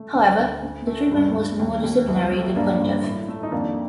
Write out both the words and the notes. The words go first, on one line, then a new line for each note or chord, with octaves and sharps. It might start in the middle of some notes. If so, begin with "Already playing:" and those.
However, the treatment was more disciplinary than punitive.
Already playing: A3
D2
D2
D2
A3
G2
G2
D#2
D#2
C2
A3
G2 A#3 D4
G2
A2
A3
D#4
F2 A#3 D4